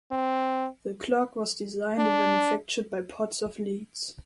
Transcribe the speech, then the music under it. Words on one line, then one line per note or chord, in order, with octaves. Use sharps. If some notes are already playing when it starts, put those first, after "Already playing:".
The clock was designed and manufactured by Potts of Leeds.
C4
D4